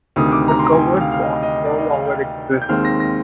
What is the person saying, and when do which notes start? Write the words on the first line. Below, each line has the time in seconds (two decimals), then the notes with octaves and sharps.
The covered walk no longer exists.
0.16 D2 C3 D#3 D#6
0.32 D6
0.48 A#5
0.59 C6
0.64 A#5
0.73 G#5
0.79 G5
1.00 F5
1.12 F5
1.22 D#5
1.43 D#5
1.65 D5
1.78 D#5
1.92 F5
2.06 G5
2.62 G6
2.69 D#2 D#3 G#3 C4 F6
2.85 A#6
3.00 A#6